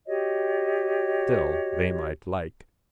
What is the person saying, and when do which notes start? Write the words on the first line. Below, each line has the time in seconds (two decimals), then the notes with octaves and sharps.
Still they might like.
0.07 F#4 G4 C#5 D#5